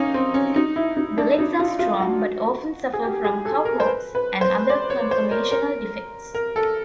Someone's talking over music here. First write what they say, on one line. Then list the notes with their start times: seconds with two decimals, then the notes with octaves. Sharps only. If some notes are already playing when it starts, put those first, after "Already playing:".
The legs are strong, but often suffer from cow hocks and other conformational defects.
Already playing: A#3 C#4 D#4
0.14 C4
0.34 C#4
0.56 D#4
0.76 E4
0.97 D#4
1.18 D4
1.39 D#4
1.59 F4
1.79 F4
2.01 F#4
2.93 G#4
3.04 G4
3.24 G#4
3.46 A4
3.65 A#4
3.80 C5
3.87 B4
4.15 B4
4.41 C5
4.70 D5
4.90 C#5
5.11 C5
5.31 A#4
5.52 A#4
6.35 A#4
6.56 A4